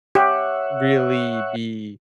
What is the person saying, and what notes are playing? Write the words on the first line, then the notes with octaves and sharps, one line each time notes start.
really be
G4 C#5 E5 F#5